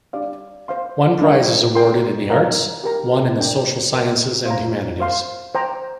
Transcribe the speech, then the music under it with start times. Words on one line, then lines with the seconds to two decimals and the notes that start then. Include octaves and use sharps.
One prize is awarded in the arts, one in the social sciences and humanities.
0.13 D4 G4 D5 F5
0.68 C5 F5 C6
1.22 D4 A#4 F5
1.75 A#4 G5 C6
2.30 A#4 F5 A#5
2.84 G4 A#4 G5 A#5
3.39 D4 A#4 D5 G5 A#5
3.93 A#4 G5 C6
4.46 C5 F5 A#5
5.00 C5 F5 C6
5.55 C5 G5 A#5